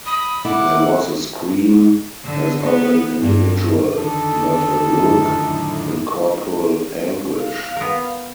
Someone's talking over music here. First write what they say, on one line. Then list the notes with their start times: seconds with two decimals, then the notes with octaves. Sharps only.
There was a scream as of an individual — not a rook — in corporal anguish.
0.06 B5 D#6
0.45 E4 F#5 D6
2.25 D3
2.63 B3
3.21 G2
3.98 F2 D3 D#3 A4
4.99 F#2 A2 F3
7.40 F5
7.76 B3 A#4